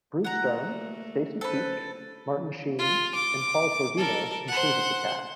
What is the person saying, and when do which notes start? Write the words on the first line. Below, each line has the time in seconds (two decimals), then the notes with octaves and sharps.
Bruce Dern, Stacy Keach, Martin Sheen, and Paul Sorvino completed the cast.
0.24 A3 A#3 F#5 A#5
1.41 A4 B4 C5
2.79 F4
3.15 D6
3.97 A4 A#4
4.48 C5 F#5